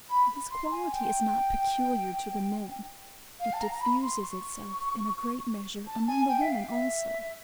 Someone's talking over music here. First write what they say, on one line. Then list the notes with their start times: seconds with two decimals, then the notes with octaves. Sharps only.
This quality is not peculiar to the men; it diffuses itself, in a great measure, among the women also.
0.10 B5
0.51 C6
0.71 G#5
0.91 G5
3.40 F5
3.53 A5
3.60 A#5
3.72 A#5
3.81 B5
4.01 C6
4.22 C#6
5.87 A5
6.07 G#5
6.29 G5
6.41 E5
6.50 F5
6.69 E5